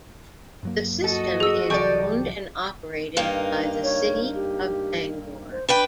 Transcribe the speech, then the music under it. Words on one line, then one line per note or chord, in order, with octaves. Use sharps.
The system is owned and operated by the City of Bangor.
G2 F#3 A#3
F#4 A4 D#5
G#4 E6
C2 E3 F#3 G4 A4 D5 C#6
G2 A#3 D#4 B4
C#5
G4
C5
D4 B4 G5 B5